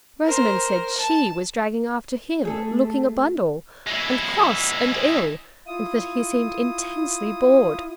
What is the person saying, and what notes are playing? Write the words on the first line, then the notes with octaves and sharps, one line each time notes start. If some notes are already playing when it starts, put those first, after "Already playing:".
Rosamond said SHE was dragging after him looking--a bundle--and cross and ill; and that he seemed intensely bored.
A#4 C5
A5
A3 G#4 A4
G#3 E4
E4 F4 D#6